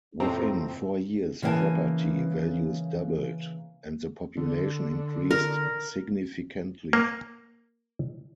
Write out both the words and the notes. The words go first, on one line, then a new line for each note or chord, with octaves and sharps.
Within four years property values doubled, and the population increased significantly.
F2 A2 C3 C4 A#5
C#3 E3 A#3 F5 G#5 A5
D3
A#4
A#3